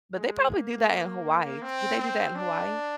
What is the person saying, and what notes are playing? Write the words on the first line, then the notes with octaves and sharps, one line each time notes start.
but they probably do that in Hawaii. D do they do that in Hawaii?
G#3
A#3
C4
C4
D4